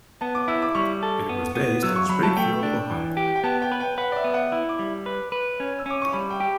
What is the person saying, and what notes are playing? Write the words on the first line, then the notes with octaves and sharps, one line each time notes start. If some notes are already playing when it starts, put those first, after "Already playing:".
It was based in Springfield, Ohio.
B3 A5
D6
E4 E6
D6
G3 C#6
A4
B3
B3
F#3 E6
C#6
F#3 B5
A5
A3 G5
D4
E3
G4
G5
B3 A5
G5
B4
G5
B4 F#5
D5
E5
B3
E5
F#5
E4 E6
D6
G3
B4
B4
C#4
E6
C#4 D6
C#6
G3 B5
G5
G4